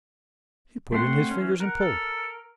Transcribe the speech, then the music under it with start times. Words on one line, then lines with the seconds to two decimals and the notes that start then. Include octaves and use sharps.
He put in his fingers and pulled.
0.92 A3 C4 F#5 C6
1.31 E3 C#4
1.60 A#4 F#5
1.80 A4